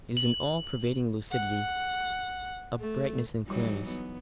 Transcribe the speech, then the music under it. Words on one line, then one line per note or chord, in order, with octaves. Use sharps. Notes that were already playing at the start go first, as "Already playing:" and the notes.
It is an all-pervading lucidity, a brightness and clearness.
F#7
F#5
A3
E3 F#3 G3 D#4
B3